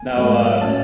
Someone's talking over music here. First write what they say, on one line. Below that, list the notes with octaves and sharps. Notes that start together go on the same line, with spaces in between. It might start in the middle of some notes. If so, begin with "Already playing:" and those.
No, uh,
Already playing: G#5
G#2 F#3 A3
A2 F#3 C#4 A5